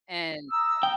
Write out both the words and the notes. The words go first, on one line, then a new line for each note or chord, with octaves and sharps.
And Yeah.
A#5 D#6 E6
G5